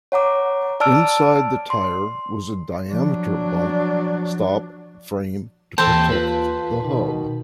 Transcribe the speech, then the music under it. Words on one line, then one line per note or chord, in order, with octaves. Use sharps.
Inside the tire was a diameter bump stop frame to protect the hub.
C#5 F#5 A#5 D6
D5 A5 E6 F6 D7
C6
F3 F#3 D4
D#2 E3 A4 C5 G5 A5
F4 B4
B2 D#3